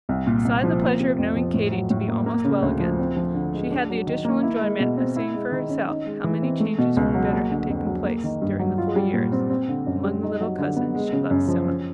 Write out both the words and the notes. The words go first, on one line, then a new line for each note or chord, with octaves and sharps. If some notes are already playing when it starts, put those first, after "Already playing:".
Beside the pleasure of knowing Katy to be almost well again, she had the additional enjoyment of seeing for herself how many changes for the better had taken place, during the four years, among the little cousins she loved so much.
C2
A#2
C2
F3
A#3
C3
F2
F3
A2
F#3
A2
A#3
A#3
C#3
D2
F3
C4
F3
D3
G#3
D4
F#3
D#3
A#3
E4
G#3
B2
C4
E4
G#3
D#3
C#4
D#4
G#3
E3
C4
A3
B2
C#2
F#3
A#3
D3
F2
F#3
A#3
D#3
G2
F#3
F4
G3
A#2
C4
C4
D3
F#2
G3
D#4
F#3
D3
B3
G#3
C#3
F#2
F3
C#4